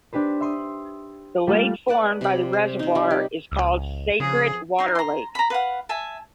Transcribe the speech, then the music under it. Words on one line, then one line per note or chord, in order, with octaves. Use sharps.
The lake formed by the reservoir is called "Sacred Water Lake".
D4 G4 B4 C5
E5 C6 D#6
G3 A3 A#3 F4 A4
B4 D5 F#5 A5
C3 G3 B5
C5
C3 D#4
F3 G3
G4
C#2
C#3 F3 G#4
D#4 C6
A#5 C6
A#5 B5
B4 F5 F#5
E5 G#5 A5